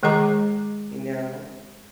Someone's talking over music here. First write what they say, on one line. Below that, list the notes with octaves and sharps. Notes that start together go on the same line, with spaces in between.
You know?
D#3 G#3 G#4 D#5 A#5 D6